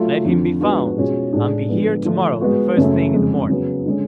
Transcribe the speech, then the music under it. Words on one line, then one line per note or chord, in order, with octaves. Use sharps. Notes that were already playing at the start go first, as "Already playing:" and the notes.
"Let him be found, and be here to-morrow the first thing in the morning."
Already playing: F#3 A3 F4
F2 D3 F3
F3 G#3 B3 D4 F#4
B2 G#3 C#4 F4 G#4
A2 G#3 D4 G#4 D5
D3 F3 G#3 B3
D3 F3 A3 D4 F4
G#3 B3 F#4
F#2 C#3 F#3 A3
F2 C#3 G#3
C#3 F#3 B3
D3 G#3 C#4